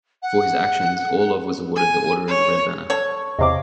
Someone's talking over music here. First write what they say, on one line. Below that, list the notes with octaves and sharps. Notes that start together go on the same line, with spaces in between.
For his actions Orlov was awarded the Order of the Red Banner.
F#5
G#5
C#5
A4 C#5
E2 C3 D#5 F5 D6